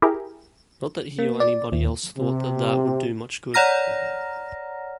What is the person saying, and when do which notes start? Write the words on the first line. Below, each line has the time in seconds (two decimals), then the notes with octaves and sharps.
Not that he or anybody else thought that that would do much good.
0.02 E4 G4 G#4 A#4
1.19 A#3
1.40 D5
1.72 D#2
2.17 C3
3.54 C#5 D5 F#5 A#5 F6 A#6